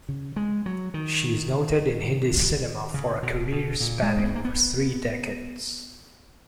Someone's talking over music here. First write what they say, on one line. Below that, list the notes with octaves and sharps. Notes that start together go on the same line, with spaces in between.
She is noted in Hindi cinema for a career spanning over three decades.
C#3
G#3
F#3
D#3
C#3
B2
B2
A#2
G#3
A#3
B3
A#3
B3